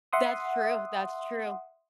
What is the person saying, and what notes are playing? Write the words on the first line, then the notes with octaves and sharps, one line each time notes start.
That's true, that's true.
E5 F#5 C6 D#6